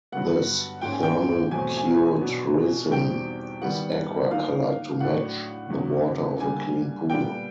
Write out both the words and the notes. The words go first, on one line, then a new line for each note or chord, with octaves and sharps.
This thermal-cured resin is aqua-colored to match the water of a clean pool.
G2 D3 F#3 B3 F#5
G#2 F3 A#3 C#4 G5
G#5
G5
E2 B2 F#3 A3 C4 G#5
G#5
B2 F#3 B3 D4
E2 B2 G3 C4 D#4 G5
D#3 G3 B3 F#5
D3 F3 A#3 D#4 F5
A2 F#3 A3 D4 F#5
E2 C#3 F#3
D3 G3 A#3 D4 G#5
A#2 G3 B3 G5